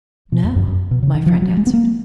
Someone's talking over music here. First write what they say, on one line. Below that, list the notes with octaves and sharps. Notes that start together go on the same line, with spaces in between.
"No," my friend answered.
B2
F2
F#2
F#2
B2
C#3
D#3
F3
F#3
G#3
B3
A#3